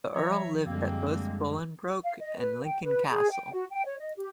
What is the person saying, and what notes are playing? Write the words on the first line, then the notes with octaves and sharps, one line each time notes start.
The Earl lived at both Bolingbroke and Lincoln Castle.
F3 C#5 E5 A#5
F#2 D3 G3 G#3 A#3 C4
F5
D#5
B4
G5
B4
G#4
G5
F#4
G5
C#5
D#5
G4